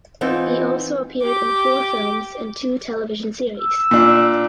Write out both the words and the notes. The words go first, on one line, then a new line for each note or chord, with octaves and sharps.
He also appeared in four films and two television series.
E3 B3 C4 D#4 F4
G4 D6
E6
A#2 D4